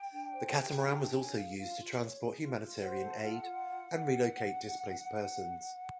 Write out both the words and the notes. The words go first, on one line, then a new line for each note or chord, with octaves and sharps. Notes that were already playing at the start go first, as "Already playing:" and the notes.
The catamaran was also used to transport humanitarian aid, and relocate displaced persons.
Already playing: G5
D4
C5
G4
D4
B5
D4 A#5
A5
C#5 G#5
G#4 F5
F4 F5
F4
C#5
G#4
F4
F4
C5 F#5
A4
F4
F4